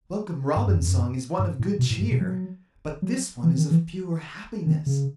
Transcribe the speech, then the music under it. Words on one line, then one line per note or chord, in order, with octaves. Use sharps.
Welcome Robin's song is one of good cheer, but this one is of pure happiness.
G#2
F#2
E2
F#2
G#2
A2
B2
A2
G#2
B2
F#3
F#3
E3
D#3
E3
D#3
C#3